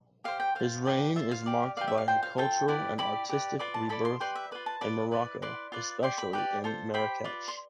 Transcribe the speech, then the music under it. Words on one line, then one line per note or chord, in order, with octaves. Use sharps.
His reign is marked by a cultural and artistic rebirth in Morocco, especially in Marrakech.
G4 C5 F5
G5
F4 C5 F5
G4 B4 D5
F4 C5 E5
F5
G4 D5
G4 B4 D5 F5
E5
F5
F4 C5 G5
F5
F4 A4 C5 G5
E4 G4 B4 D5
E4 G4 D5 B5
G4 B4 D5
F4 B4 D5 B5
A5
E4 A4 D5 B5
C6
G4 B4 D5 C6
E5
F4 B4 D5
A5
F4 B4 D5 B5
E4 B4 D5
E4 B4 D5 C6
F4 B4 D5
G4 D5 C6
B5
G4 B4 D5
F4 A4 C5
G4 C5 B5
F4 B4 D5
C6